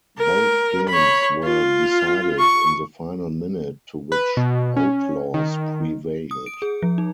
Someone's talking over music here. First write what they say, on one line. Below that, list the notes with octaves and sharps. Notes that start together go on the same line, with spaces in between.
Both games were decided in the final minute to which Outlaws prevailed.
A#4
C#5 B5
F4
C#6
B4
B2
C#4
D#3
D#6
D7
G#4
F3
D#4